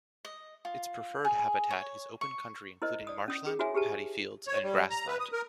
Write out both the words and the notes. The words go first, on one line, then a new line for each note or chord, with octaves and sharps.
Its preferred habitat is open country including marshland, paddy fields and grassland.
D#5
F4
G#4
C#5
C#6
E4 A#4 C5 D#5
D5 D#6
C#4 D#6
G#4
E4 F#4 B4 C#5 E5 G#5
G4 G#4 B4 A5
C#5
G3
A#5
B4
D#6
A#4